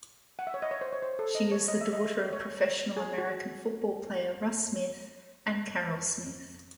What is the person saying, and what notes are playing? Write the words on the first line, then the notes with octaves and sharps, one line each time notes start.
She is the daughter of professional American football player Russ Smith and Carol Smith.
F#5
E5
C#5
D#5
C#5
C5
C#5
C5
A4
D#5
C#5
D#5
E5
D#5
C#5
G#4
F#4